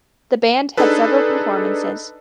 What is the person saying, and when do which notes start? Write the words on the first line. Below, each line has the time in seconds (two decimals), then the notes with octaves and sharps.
The band had several performances.
0.77 D4 D#4 G#4 A4 B4